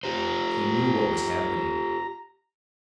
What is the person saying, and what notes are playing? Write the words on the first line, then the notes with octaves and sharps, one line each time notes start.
He knew what was happening....
F4 G4 C5 A#5